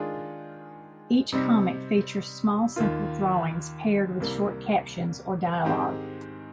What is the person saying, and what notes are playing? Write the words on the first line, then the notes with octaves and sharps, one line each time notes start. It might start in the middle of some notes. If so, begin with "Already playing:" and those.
Each comic features small, simple drawings, paired with short captions or dialogue.
Already playing: D#3 G#3 D4 F4 G#4
C3 G3 C4 D#4
D#2 D#3 A#3 F4
C2 C3 G3 A#3
G#2 D#3 G#3 C4 G4